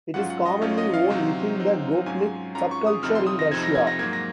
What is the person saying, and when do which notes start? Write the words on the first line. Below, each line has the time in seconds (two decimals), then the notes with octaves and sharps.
It is commonly worn within the "gopnik" subculture in Russia.
0.14 G#2 F#3 C#4 F4 F#5
0.30 F#5
0.46 D#5
0.61 G#2 F#3 C#4 F4 C#5
0.77 D#5
0.94 F5
1.10 C3 F#3 C4 D#4
1.58 C3 F#3 C4 D#4
2.06 G#2 F#3 C#4 F4 G#5
2.55 G#2 F#3 C#4 F4 A#5
2.71 C#6
2.87 D#6
3.03 F2 C3 F3 C4 D#4 F6
3.15 C6
3.27 D#6
3.39 A#6
3.52 F2 C3 F3 C4 D#4 G#6
3.63 A#6
3.75 G#6
3.87 A#6
3.99 G#2 F#3 A#3 G#6
4.13 A#6